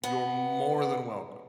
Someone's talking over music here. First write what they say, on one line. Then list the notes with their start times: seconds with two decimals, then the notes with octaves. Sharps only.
You're more than welcome.
0.04 B3